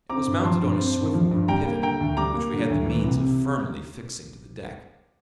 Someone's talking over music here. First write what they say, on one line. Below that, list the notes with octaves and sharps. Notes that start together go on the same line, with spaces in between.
It was mounted on a swivel or pivot, which we had the means of firmly fixing to the deck.
C4 A#5 D6
G2
F3 A5 C6
G2
C4
G2
F3
G2
G3 G5 A#5
A#3
D3 G5 A#5
D2
G3 A#5 D6
A#3
D3
D2
E3
C2
C3